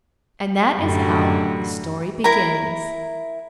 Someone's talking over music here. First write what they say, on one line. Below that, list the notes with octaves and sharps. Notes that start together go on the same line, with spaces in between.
And that is how this story begins.
F#2 A2 D3 G3 F#4
E4 A#4 A#5